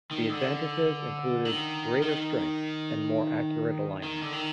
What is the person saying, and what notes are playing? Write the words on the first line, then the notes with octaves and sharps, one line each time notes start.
The advantages included greater strength and more accurate alignment.
D#3
D3
D#3
D#3
D#3
D3
D#3